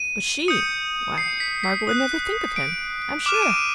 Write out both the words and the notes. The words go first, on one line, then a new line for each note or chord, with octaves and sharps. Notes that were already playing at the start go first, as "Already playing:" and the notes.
But she!--why, Margaret would never think of him, I'm sure!
Already playing: D#7
D#6 G6 C#7
C7
B6
B6
D#6 F#6
D7
D6 F6 E7
D#7
D7
D#7